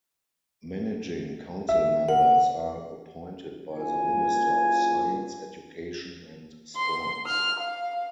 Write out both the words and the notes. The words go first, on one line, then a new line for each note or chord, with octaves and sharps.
Managing Council members are appointed by the Minister of Science, Education and Sports.
E5
A#4 F#5
F#1 A#3 F4 G#5
C6
F6
F5